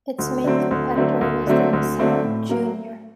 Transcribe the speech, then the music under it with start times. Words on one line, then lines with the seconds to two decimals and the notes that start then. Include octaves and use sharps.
Its main competitor was the Nissan Junior.
0.19 D2
0.44 D3 F#3 A3 C4
0.71 D2
0.95 D3 F#3 A3 C4
1.21 D2
1.47 D3 F#3 A3 C4
1.73 D2
1.99 D3 F#3 A3 C4
2.24 A2
2.49 F#3 A#3